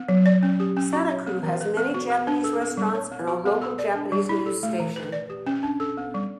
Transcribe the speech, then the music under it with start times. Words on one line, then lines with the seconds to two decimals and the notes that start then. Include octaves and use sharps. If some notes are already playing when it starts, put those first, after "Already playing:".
Sataku has many Japanese restaurants and a local Japanese news station.
Already playing: B3
0.09 F#3
0.26 D5
0.43 C#4
0.60 G4
0.77 C#4
0.93 F#4
1.10 C#5
1.27 B3
1.43 E3
1.61 B4
1.77 B3
1.94 F#4
2.10 B3
2.27 D4
2.44 A4
2.61 B3
2.77 G3
2.95 C#5
3.12 B3
3.28 F#4
3.46 B3
3.62 A4
3.79 D5
3.95 D4
4.12 G3
4.29 E4
4.46 A4
4.63 A3
4.80 E3
4.96 B4
5.12 D5
5.30 G4
5.47 C#4
5.63 D4
5.80 A4
5.97 B3
6.14 G3